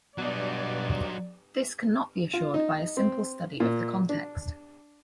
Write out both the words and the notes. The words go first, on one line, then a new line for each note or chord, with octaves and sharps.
This can not be assured by a simple study of the context.
G2 B2 F#3 D#4 D5
F4
D#4
C4
A#2
D4